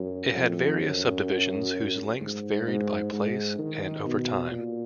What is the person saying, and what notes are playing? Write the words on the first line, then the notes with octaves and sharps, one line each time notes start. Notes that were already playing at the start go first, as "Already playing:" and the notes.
It had various subdivisions whose lengths varied by place and over time.
Already playing: F#2
F2
F#2
G#2
G#2
G#2
D#3
B2
A#2